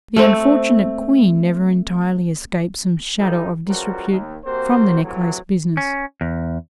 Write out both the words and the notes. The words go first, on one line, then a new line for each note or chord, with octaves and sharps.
The unfortunate Queen never entirely escaped some shadow of disrepute from the necklace business.
A3 C4
F3 G3 D#4 F4 A4
C#2 F3 G3 F#4 A#4
D#2
C3 A#3 C4 F#4 C5
A2 C3 E3 F#3
C#4
E2